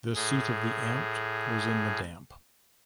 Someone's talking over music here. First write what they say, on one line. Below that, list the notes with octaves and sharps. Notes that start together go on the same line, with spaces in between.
The seat of the "Amt" was in Damp.
A2 G#4